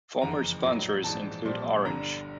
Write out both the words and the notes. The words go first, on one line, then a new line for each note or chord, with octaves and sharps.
Former sponsors include Orange.
F#1 F2 C#3 E3 A#5
A#1 A2 F#3
A#1 G#2 E3 A5
A#1 A#2 G3 C4
G1 G2 D3 A#5